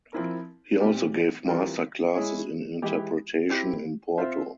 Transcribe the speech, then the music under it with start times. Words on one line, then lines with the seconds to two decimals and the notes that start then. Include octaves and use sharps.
He also gave master classes in interpretation in Porto.
0.13 F3 C4 E4 A#4
0.80 A#2 G3 C4 G4
1.47 E3 G3 C4 F4 A#4
2.15 G#3 E4 G#4 C#5
2.82 E3 G#3 E4 G4
3.50 C4 E4 G4
4.18 C4 F4 C5 E5